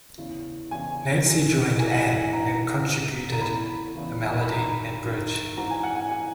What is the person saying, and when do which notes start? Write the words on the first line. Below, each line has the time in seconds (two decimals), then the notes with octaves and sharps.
Nancy joined Ann and contributed a melody and bridge.
0.18 E2 C#3 E3
0.71 E2 C#3 E3 G#5
1.25 F#2
1.30 E3
1.80 F#2 E3 G#5
1.91 F#5
2.03 G#5
2.33 G#2 E3 A#5
2.87 G#2 E3
3.32 A#5
3.41 E2 C#3 E3 B5
3.95 E2 C#3 E3
4.41 B5
4.49 F#2 D#3 A#5
5.03 F#2 D#3
5.57 G#2 E3 A#5
5.71 G#5
5.83 F#5
5.96 G#5
6.11 E3 G#5